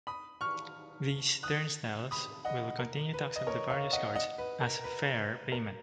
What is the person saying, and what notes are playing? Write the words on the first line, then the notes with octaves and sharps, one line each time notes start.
These turnstiles will continue to accept the various cards as fare payment.
B5 D#6
C#6 F6
D#6 F#6
B5 D#6
D#5 F#5
A#4
B4
D#5
A#4 C#5
C#5 F5
D#5 F#5
D#5 F#5
B4
A#4
B4
A#4